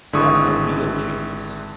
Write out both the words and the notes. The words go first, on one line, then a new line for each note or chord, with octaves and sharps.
That's the real cheese.
G#1 D3 G#3 E4 C#6 D#6